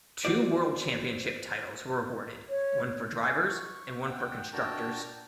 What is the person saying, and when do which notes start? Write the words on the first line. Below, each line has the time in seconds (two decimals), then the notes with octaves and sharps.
Two World Championship titles were awarded, one for Drivers and one for Constructors.
0.25 F#4 C5 D5
2.49 C#5
3.21 C#4 A4 A#4 E5
3.48 C#6
4.05 F#5 G5
4.53 D4 F#4 A#4 G5 A5 A#5